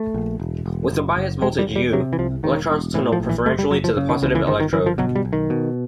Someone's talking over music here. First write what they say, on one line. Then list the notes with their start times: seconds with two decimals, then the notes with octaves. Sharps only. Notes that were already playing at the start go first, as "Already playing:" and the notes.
With a bias voltage "U", electrons tunnel preferentially to the positive electrode.
Already playing: A3
0.14 A#1
0.40 E1
0.66 E1
0.91 F#1
1.16 F#1
1.41 E1 G#3
1.59 G3
1.67 E1
1.76 G3
1.93 C3 F#3
2.13 E3
2.19 C2 F3
2.43 E1 D#3
2.69 E1
2.94 A2 E3
3.12 F3
3.20 A#1
3.29 E3
3.46 F#1 A3
3.59 G3
3.71 F#1 F#3
3.84 F3
3.97 C#3
4.09 D#3
4.22 C#2 E3
4.35 E3
4.47 G1 D#3
4.60 D#3
4.73 G1 E3
4.86 F3
4.98 B2 F#3
5.16 G3
5.25 B1
5.33 D#3
5.50 B2